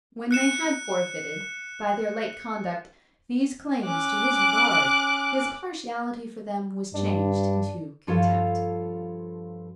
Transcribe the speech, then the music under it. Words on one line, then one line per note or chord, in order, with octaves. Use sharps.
When they had forfeited, by their late conduct, these claims to his regard, his partiality for them was changed into contempt.
F#6 C#7 E7
C#4 D6 F#6
G2 D4
G2 F3 F4 A4 C#5 F5